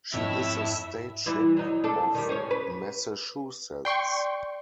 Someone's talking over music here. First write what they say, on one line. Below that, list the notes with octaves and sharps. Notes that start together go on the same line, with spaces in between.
She is the State Ship of Massachusetts.
F2 G#2 E4 C#5 E5 E6
E3 G3 E4
F#3 D#4
D4 A4
D#3 G3
C#4 C5 C#5
B4
D5 G5 C6 C#6